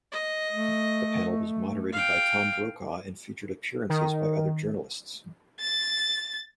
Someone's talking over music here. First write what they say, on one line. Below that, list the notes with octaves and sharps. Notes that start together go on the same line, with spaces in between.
The panel was moderated by Tom Brokaw and featured appearances by other journalists.
D#5
A3
F5 G5
D#3
A6